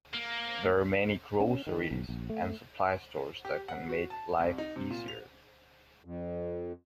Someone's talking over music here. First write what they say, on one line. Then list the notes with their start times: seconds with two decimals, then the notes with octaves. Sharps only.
There many groceries and supplies stores that can make life easier.
0.14 A#3
1.40 C#4
1.67 D#3
1.91 B1
2.09 A#1
2.30 A3
3.45 G4
3.68 F#5
3.89 F#4
4.10 A5
4.40 C2
4.58 D#4
4.76 C3
4.90 A#2
5.08 F7
6.05 F2